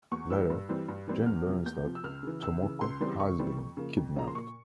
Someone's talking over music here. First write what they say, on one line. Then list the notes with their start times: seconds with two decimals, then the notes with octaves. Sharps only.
Later, Gen learns that Tomoko has been kidnapped.
0.11 E2 C#6
0.30 E3 G3 E6
0.50 G2
0.69 E3 G3 C4
0.88 G2
1.08 E3 G3 C4
1.26 E2 F6
1.46 C3 F3
1.66 E2 G6
1.85 C3 F3
1.95 E6
2.04 C#2 F6
2.23 C#3 E3
2.42 C#2 E6
2.62 C#3 E3
2.81 C#2 C6
3.00 C#3 E3 G3 C4
3.20 C#2 C#6
3.39 C#3 E3 G3 C4
3.58 F2
3.77 C#3 F3 A#3
3.97 F2
4.16 C#3 F3 A#3 A#5
4.28 C6
4.35 A#2 C#6